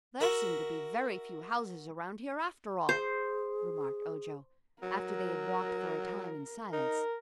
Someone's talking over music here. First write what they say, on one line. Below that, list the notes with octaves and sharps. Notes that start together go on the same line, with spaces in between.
"There seem to be very few houses around here, after all," remarked Ojo, after they had walked for a time in silence.
F#4 A#4 E5
G#4 C5
F#3 A#4
D#4 A#4